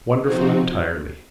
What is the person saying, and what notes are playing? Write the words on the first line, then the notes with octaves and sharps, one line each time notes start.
Wonderful entirely.
F3 C4 D#4 F#4